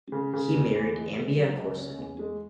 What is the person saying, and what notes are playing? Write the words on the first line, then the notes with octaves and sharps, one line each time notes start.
He married Ambia Corson.
C#3
C#3
E2
E3
G#3
G#3
F#3
C#2
C#4
E2
G#3